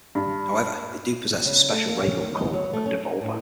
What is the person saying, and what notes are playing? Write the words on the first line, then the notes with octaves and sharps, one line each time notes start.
However, they do possess a special raygun called a "devolver".
G2
C#3
A3
A#3
C#4
D#3
D#5
F#3
A3
C#4
D#4
A2